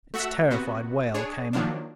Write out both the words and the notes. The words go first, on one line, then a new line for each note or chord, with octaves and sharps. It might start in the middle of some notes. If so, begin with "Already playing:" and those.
Its terrified wail came up.
A3 F#4 E5 F#5 E6
C3 B3 F#4
D4 G#4 C#5
D#3 F3 F#3 A#3 D4